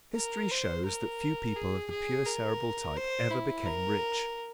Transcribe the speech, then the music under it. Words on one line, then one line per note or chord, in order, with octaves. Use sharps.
History shows that few people of the pure Cerebral type ever became rich.
A#4
C5
A#4
G#4
G#4
A#4
C5
E4
A#4